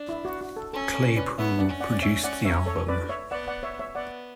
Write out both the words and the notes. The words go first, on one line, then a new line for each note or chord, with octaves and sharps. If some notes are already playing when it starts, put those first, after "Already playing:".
Claypool produced the album.
Already playing: D4
E4
F#4
F#4
A4
C#4 A4
A4 C#5
B4 D5
B3 C#5 E5
D5 F#5
C#4
D5 F#5
D5
C#5 E5
D5 F#5
C#5 E5
A4 C#5
B4 D5
C#5 E5
B3 D5 F#5
D5 F#5
C#5 E5
C#5 E5
B3 D5 F#5